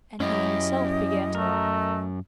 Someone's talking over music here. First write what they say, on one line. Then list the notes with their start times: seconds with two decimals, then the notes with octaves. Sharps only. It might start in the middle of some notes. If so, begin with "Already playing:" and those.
And he himself began to laugh.
0.20 F#2 C#4 E4 G4 D#5
1.35 A3 A#4